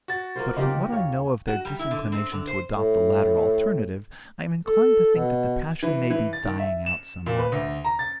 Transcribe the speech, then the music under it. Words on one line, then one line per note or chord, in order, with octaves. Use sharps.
But from what I know of their disinclination to adopt the latter alternative, I am inclined to think that the passion may be dying out somewhat.
F#4 A6
A#3 F4 C5
C#3 A#3 D#4 G4 D#5 C6
D#2 C#5 F5
F#4
G3
E4
D3
C4
D3
C5
A2
A4
B2
E3
E3
A6
D#3
E5
E7
A#2
B4
D2
A#5
A6